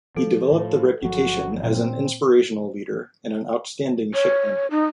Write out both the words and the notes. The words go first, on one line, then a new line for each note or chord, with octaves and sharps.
He developed the reputation as an inspirational leader and an outstanding ship handler.
F3 A4
A2 F3
G1 F3 F#3 F#4
A#2 C4
C#5
D#4